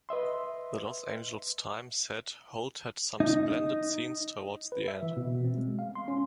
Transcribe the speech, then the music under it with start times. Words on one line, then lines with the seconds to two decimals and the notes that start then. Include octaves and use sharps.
The "Los Angeles Times" said Holt had "some splendid scenes towards the end".
0.09 B4 D#5 E5 C6
3.20 D#4
4.72 B4
4.88 E5
5.03 E3
5.17 B2
5.44 C4
5.58 G#3
5.79 F5
5.95 C6
6.08 C#4